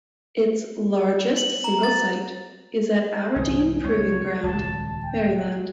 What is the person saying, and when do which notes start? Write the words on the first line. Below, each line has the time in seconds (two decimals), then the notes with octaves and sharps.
Its largest single site is at Aberdeen Proving Ground, Maryland.
1.37 F#7
1.64 A#5
1.83 A6
3.36 C2 G#2 E3 G#4
3.84 C#2 C#5
4.43 D#1 C#2 A5
5.03 G5